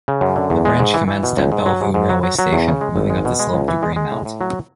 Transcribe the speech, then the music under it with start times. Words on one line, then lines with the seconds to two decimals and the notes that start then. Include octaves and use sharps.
The Branch commenced at Bellevue Railway Station, moving up the slope to Greenmount.
0.08 C#3
0.21 F#2
0.36 D3
0.50 E2
0.65 G#3
0.80 G#2
0.94 E3
1.08 E3
1.23 B2
1.37 C#2
1.52 G#2
1.66 F#3
1.81 G#2
1.94 G#2
2.09 F#3
2.23 F#3
2.39 F#3
2.53 E2
2.68 C#3
2.81 G#3
2.96 G#1
3.10 G#3
3.25 B2
3.39 G#3
3.54 C#2
3.68 E3
3.83 G#3
3.96 G#3
4.11 A2
4.25 A2
4.41 F#3